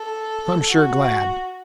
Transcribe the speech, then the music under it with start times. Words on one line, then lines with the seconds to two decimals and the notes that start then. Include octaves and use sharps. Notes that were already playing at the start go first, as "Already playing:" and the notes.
I'm sure glad.'
Already playing: A4
0.69 F#4